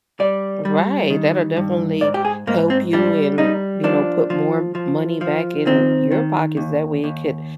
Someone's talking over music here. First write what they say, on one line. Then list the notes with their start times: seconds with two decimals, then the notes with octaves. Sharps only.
Right, that'll definitely help you and, you know, put more money back in your pockets, that way it could
0.20 G3 D5
0.65 G3
1.10 D#3
1.57 G2
2.01 G#2 D5
2.14 G4
2.25 G#4
2.47 G#2 A#3
2.70 C4
2.93 G3 D4
3.38 G3 D#4
3.84 F3 D4
4.30 F3
4.75 F3
5.21 F3
5.66 D#3 C4
6.12 D#3
6.57 D#2
7.04 D#2